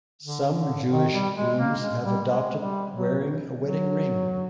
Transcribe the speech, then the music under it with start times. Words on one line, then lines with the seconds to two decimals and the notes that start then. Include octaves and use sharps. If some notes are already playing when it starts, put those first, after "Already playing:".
Some Jewish grooms have adopted wearing a wedding ring.
0.23 D3
0.56 D3
0.90 D#3
1.12 G3
1.35 G#3
1.57 A#3
1.80 G#3
2.03 G3
2.25 G#3
2.58 G3
2.92 F#3
3.59 F#3